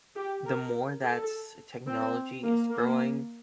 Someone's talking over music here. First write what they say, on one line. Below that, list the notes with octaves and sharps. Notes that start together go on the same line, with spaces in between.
the more thats technology is growing,
G4
A#4
A4
C4
A#3
A#3